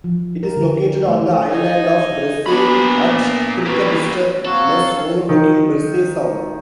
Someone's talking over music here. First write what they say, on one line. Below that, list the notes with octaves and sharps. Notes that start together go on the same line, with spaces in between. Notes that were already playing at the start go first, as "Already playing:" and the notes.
It is located on the island of Bressay at Kirkabister Ness overlooking Bressay Sound.
F3
A#4
D3
A3
D#4 G#5
A#2 B3 D4 B5
A#3 C#4 B4
F#3 C4 F#4 A4 C#5 F5
D#3